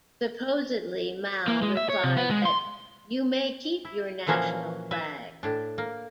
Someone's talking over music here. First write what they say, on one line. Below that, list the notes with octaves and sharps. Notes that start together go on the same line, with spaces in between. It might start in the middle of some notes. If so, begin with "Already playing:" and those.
Supposedly Mao replied that "you may keep your national flag".
A#3
G#3
E5
C#5
C3
B3
G#3
C6
E4
A#2 E3 F3 A#3 C#4 F#4
B4 E5
A2 D4
A#3